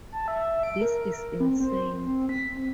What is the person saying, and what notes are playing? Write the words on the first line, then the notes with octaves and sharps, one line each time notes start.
This is insane.
A5
E5
D7
A#4
C4
C5
C4
B6
C4